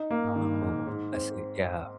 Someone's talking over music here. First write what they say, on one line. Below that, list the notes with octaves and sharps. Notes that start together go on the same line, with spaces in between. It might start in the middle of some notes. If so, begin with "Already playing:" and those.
Oh, I see, yeah.
Already playing: D#4
A#3
D#3
G#2
G#2
C4